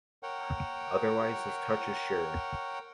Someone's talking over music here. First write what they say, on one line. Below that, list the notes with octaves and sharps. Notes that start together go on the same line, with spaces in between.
Otherwise his touch is sure.
A#4 C#5 F#5 G5